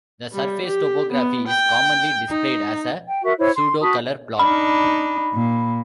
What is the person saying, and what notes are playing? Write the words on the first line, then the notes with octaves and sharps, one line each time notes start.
The surface topography is commonly displayed as a pseudocolor plot.
G3
G4
B3
G5
D#4
G5
F#4 A#4 E5
E4 C5 C#5
C6
F#4 A5 B5 D#6
D4 D#4 B5
A#2